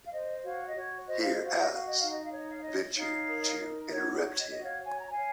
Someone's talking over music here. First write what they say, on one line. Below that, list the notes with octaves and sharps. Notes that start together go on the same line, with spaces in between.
Here Alice ventured to interrupt him.
F5
C5 D#5
F#4 C#5 F5
D#5
F#4 C#5
C5 D#5
F5
D#5
F#4
F5
D#5
F#4 F5
D#5
D#4 F5
D#5
F5
C#5 D#5
F5
C#5 D#5
D#4 C#5 F5
A#4
D#4
F#4 C#5
C#5
D#5
F#4 D#5
C#5 F5
C#5 G#5
A#5
F5 G#5
C#5